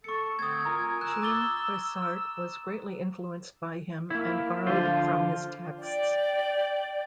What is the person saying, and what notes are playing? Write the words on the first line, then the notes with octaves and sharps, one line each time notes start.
Jean Froissart was greatly influenced by him and borrowed from his texts.
A4 C#6 C#7
D3 A3 C4 D#6 G#6
F4 A#4 G#5 A#5
E6 F#6
D6 A6 G7
A#3 E4
D3 F3 F4 C5
D5 G5